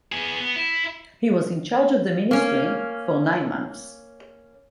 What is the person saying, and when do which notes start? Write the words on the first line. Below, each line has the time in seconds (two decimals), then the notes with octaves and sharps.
He was in charge of the ministry for nine months.
0.12 B3 G#4
0.40 B3
0.56 E4
2.31 A#3 C#4